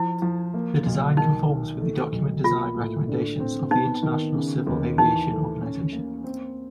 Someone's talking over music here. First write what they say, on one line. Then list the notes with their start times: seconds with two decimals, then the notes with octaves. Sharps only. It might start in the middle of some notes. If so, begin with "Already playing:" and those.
The design conforms with the document design recommendations of the International Civil Aviation Organization.
Already playing: F3 E4
0.22 F3
0.54 A#3
0.86 B1
1.17 D#3 D#4
1.49 D#3
1.81 A3
2.12 B1
2.44 A#3 F4
2.76 A2
3.08 D3
3.40 C4
3.71 B3 D#4
4.03 D#3
4.34 C#3
4.67 D#2
4.98 E3 D#4
5.30 A3
5.61 C#4
5.93 A#3
6.24 C4